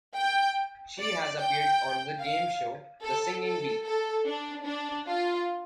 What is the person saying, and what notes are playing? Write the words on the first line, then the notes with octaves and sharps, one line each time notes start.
She has appeared on the game show "The Singing Bee".
G5
D5
G5
F5
A4
A4
A4
D4
D4
F4